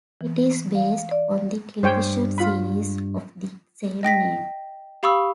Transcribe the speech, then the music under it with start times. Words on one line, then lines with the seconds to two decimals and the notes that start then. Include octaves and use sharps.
It is based on the television series of the same name.
0.21 E3
0.75 F5
1.11 D5
1.83 G2 C5 C#5 G5
2.38 F4 B5
4.03 D#5 G5 A#6 B6
5.03 G4 F5 B5 C#6 D#6 E6